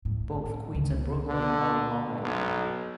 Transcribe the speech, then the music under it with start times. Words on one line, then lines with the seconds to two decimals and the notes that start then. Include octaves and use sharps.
Both Queens and Brooklyn are on Long Island.
0.05 A2
0.75 C#2
1.27 D3
2.22 B1